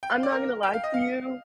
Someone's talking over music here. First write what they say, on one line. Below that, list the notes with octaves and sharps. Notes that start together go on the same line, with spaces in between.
I'm not gonna lie to you.
G5
F5
D5
A#4
G5
F5
D#5
F5